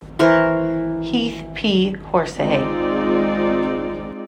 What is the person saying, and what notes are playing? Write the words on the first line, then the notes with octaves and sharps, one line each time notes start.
Heath, P. Horsehay.
E3 A#4 C5 C#6
G#3 C4 D#4 F4 D5